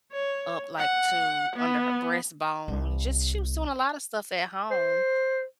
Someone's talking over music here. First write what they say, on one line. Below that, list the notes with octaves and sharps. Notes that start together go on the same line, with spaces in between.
up, like, to, under her breastbone, just she was doing a lotta stuff at home,
C#5
F#5
B3
C2
C5